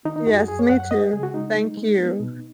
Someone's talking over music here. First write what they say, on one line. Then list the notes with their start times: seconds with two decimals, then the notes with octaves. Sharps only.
Yes, me too. Thank you.
0.05 D#3 D#4
0.16 D#4
0.26 F#2 F#4
0.38 G#4
0.48 F#2 G#4
0.59 C#5
0.69 F#2 F#5
0.80 F#5
0.91 G#3 D#5
1.13 C#3 G#4
1.23 F#4
1.34 G#3 D#4
1.55 G#3
1.78 G#3
1.99 B3
2.20 B2